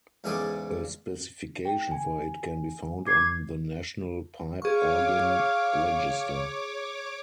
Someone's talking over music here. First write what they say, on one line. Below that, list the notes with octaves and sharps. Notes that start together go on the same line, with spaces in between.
A specification for it can be found on the National Pipe Organ Register.
E2 G#2 C#3 G#4 A4 D5
G5
G#5
D6 G#6 C7
G#4 C#5 F5 C#6 D6